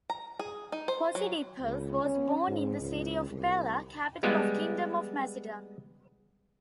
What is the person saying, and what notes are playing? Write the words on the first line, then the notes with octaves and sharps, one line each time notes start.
Posidippus was born in the city of Pella, capital of the kingdom of Macedon.
A#5
G#4
D#4
C5
F#3
C#2
C#4
G#2
C#2
C2
G3 G#3 B3